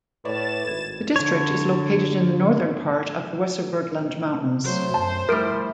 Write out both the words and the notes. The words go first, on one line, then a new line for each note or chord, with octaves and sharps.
The district is located in the northern part of the Weserbergland mountains.
A2 E4 B4 C#5 D5 A6 E7
G#1 G#6
D3 C#5
F#3 A3 C5
F#2 A5
F3 G3 A3 E4 A#4 D7